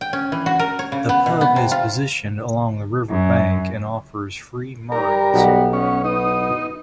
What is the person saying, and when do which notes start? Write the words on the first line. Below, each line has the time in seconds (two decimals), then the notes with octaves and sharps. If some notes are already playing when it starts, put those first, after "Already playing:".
The pub is positioned along the river bank and offers free moorings.
0.01 G5
0.13 C#4
0.32 E3
0.46 F#4
0.59 A#4
0.79 C#5
0.92 C#3
1.09 B3
1.26 B2
1.41 B3
1.56 C3
1.71 F4
3.10 F#2
4.92 G3 D#4 A#4
5.34 B1 B3
5.73 B3 C#4
6.04 B3 D#4 D#6